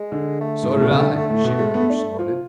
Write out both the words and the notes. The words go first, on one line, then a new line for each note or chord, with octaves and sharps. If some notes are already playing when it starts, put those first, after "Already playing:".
"So did I!" She rather snorted.
Already playing: G#3
D3
A3
G#2
A2
B2
C#3
D3
D3
A2
B2
G#3
B3
D4
F3 F4